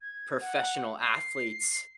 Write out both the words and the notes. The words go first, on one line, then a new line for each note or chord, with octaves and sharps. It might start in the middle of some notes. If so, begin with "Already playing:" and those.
professional athletes
G#6
F#5
C7